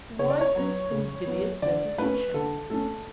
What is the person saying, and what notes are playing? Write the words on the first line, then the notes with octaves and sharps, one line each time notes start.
Why this invidious reservation?
C#3 C#5
D5
C#5
F#3 B3
C#3
F#3 B3
D3 D5
A3 C#4 B4
D3 A4
A3 C#4 A4